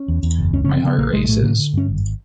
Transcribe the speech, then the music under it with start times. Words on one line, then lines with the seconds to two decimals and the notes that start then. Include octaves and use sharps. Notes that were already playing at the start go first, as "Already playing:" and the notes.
My heart races.
Already playing: C#4
0.08 E2
0.23 E2
0.38 F#1
0.53 C#2 C#4
0.64 C#4
0.69 C#3
0.76 C4
0.84 C#3 B3
0.98 A#1 A#3
1.13 A#1 G#3
1.24 G#3
1.28 A2 A3
1.44 D3 A#3
1.59 D3
1.73 G2 C#4
1.88 G#1